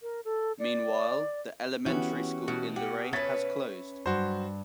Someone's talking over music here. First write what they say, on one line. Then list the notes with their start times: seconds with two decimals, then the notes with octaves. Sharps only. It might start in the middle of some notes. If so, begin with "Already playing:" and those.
Meanwhile, the elementary school in Luray has closed.
0.02 A#4
0.25 A4
0.59 D5
1.86 E3 B3 C#4 E4 F#4 G4
2.48 B2 F#4
2.76 G4 F#5
3.13 C#4 B4 E5 G#6 A6 B6
4.06 G2 F#3 F#4 C5